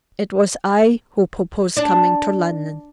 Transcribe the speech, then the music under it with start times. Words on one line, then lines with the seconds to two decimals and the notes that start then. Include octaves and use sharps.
It was I who proposed coming to London.
1.77 D4